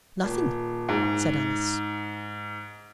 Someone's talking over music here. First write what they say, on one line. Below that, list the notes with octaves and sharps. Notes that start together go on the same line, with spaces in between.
'Nothing,' said Alice.
D#1
G#2